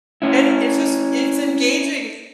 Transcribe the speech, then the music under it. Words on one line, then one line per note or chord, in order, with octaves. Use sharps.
And it's just it's engaging,
C#4 E4